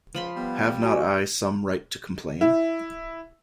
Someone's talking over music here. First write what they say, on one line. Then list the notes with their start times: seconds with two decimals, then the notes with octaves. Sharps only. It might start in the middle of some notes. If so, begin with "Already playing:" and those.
Have not I some right to complain?
0.15 C#2 F3 B5 C6
0.36 G3 B3
0.83 F#4 G#5
2.41 E4